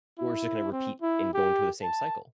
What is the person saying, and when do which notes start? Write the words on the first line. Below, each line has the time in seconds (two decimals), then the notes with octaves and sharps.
or it's ju gonna repeat and go into the same cycle.
0.18 E4
0.72 C4
1.02 E4
1.34 G4
1.83 A5